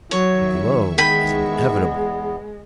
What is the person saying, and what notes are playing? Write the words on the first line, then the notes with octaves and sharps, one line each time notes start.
The globe is inevitable.
D#3 F#3 C#5 E5 C#6
E2 G#3 B3 B4 G5 B5